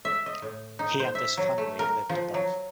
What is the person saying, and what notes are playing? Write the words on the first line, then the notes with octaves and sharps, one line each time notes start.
He and his family lived above.
E5
D#5
A2
D#4
C5
E5
F#3
A3
A#4
F3
F#3